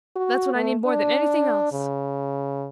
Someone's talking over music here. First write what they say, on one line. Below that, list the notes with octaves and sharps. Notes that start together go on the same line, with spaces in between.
That's what I need more than anything else.
F#4
A3
D4
C#3